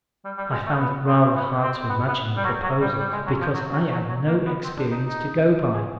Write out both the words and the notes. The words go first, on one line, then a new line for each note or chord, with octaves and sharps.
I found it rather hard to imagine the proposal because I had no experience to go by.
G3
G3
G#3
A3
B3
C4
B3
C4
B3
B3
G3
F#3
F#3
G3
G3
G#3
F#3
F3
F#3
F#3
F#3
F#3
A#3
B3
C4
D4
D#4
D#4
G#4